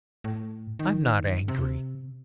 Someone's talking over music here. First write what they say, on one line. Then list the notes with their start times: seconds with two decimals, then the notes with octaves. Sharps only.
I am not angry.
0.24 A2
0.79 D#3
1.48 C3